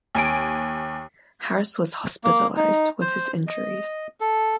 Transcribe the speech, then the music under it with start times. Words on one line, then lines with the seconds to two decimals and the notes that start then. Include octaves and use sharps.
Harris was hospitalized with his injuries.
0.15 D#2 G#5 D7
2.24 A#3
2.57 D#4
3.01 C5
3.47 D#5
4.20 A4